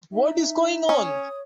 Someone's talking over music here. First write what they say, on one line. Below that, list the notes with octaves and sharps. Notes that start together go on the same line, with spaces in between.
What is going on?
D#4 E5
C#4 C#5 D#6